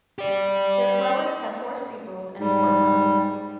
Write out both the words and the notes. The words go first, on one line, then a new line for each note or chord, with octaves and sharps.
Their flowers have four sepals and four petals.
G4 D5
G#2 G3